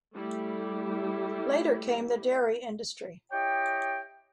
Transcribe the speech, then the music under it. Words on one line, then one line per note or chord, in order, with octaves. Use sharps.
Later came the dairy industry.
G3 A3 E4 G4
E4 G4 C#5 D#5 G5